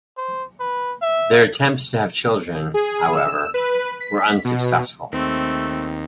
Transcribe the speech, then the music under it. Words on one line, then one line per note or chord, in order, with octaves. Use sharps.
Their attempts to have children, however, were unsuccessful.
C5
B4
E5
G#4
E6
B4
B6
B2
D#2 A3 C4